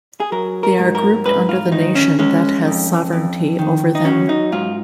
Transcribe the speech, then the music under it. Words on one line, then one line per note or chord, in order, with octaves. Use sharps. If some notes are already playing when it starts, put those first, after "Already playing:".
They are grouped under the nation that has sovereignty over them.
G#4
F#3 A#4
A#4
G#2
A#4
G#2 B4
F4
D#3 D#4
C#4
G#3 C#4
F2
F2
D#3
D#4
F#3 C#4
D#4
G#2 F4